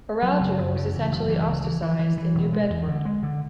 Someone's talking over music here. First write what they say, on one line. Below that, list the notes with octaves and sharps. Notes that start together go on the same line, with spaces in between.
Araujo was essentially ostracized in New Bedford.
F#3
F#1
F#1
C#3
E2
F#1
E3
C#2
E3
E3
E3
E3
E1
G#3
E2
D3
G#3
D3